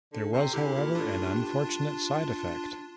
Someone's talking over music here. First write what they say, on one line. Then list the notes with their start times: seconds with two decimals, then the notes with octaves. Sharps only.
There was, however, an unfortunate side effect.
0.13 D3
0.33 C3
0.54 D3 E4 G4
0.75 A#2
0.95 A2 D4 F4
1.22 G2